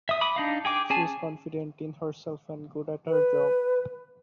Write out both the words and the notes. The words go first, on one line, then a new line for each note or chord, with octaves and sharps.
She is confident in herself and good at her job.
E5 D#6
B5 D6 D#6
D4 D#4 F5
G#4 G5 D6
C#4 G#4 G#5 A5
B4